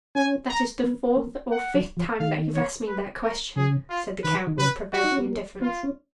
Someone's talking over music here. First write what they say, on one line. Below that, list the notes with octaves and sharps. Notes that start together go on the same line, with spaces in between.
"That is the fourth or fifth time that you've asked me that question," said the count, with provoking indifference.
C#4 G#5
A#5
B3
A#3
F#5
F#3
F3
D#3 F5
C#5
B4
A#4
C#3 G#4
F4
D#3 B4
D#3
C#3 B4
F#4
D#4
C#4
B3
A#3
B3 F4
C#4